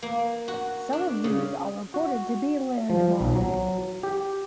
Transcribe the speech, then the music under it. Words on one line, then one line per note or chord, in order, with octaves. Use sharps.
Some of these are reported to be landmined.
A#3
F#4
D4
C#3
F#4
F3
B1
F#3
G4